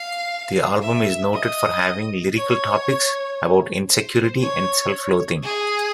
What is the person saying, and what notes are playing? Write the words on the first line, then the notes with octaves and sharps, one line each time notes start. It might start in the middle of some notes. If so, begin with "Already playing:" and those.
The album is noted for having lyrical topics about insecurity and self-loathing.
Already playing: F5
E5
D#5
C#5
C5
C#5
G#4